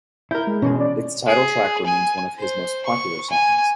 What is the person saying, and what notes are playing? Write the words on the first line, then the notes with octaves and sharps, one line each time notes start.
Its title track remains one of his most popular songs.
E4 A#4 G6
G#3
B2 E3 G#3 C#4
D5
G#4
G#5
C5
C#6
G#5